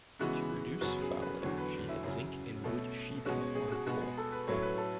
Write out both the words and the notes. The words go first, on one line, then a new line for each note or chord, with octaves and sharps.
To reduce fouling, she had zinc and wood sheathing on her hull.
C#3 E3 G#3 B3 F#4
F#2 C#3 F#3 B3 F#4
G#4
B4
E2 D3 F#3 C#5
B4
E4
F#2 C#3 F#3
B2 A3 C#4
B2 G#3 C#4 F#4
C#5
G#4
F#4
B2 G#3 B3 F#4
G#4
A4
B4
A2 F#3 A3 C#4 C#5
B4
A4